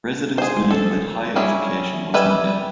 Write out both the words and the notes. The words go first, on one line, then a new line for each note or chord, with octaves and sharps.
Residents believed that higher education was needed.
G#4 C5
A4
G3 C#4 E4 G#4
G3 B4 E5 G#5